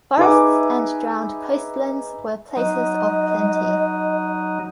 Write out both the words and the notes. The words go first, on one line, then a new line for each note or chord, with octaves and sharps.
Forests and drowned coastlands were places of plenty.
D#4 G#4 B4 E5 G#5 D6
F#3 D#4 D#5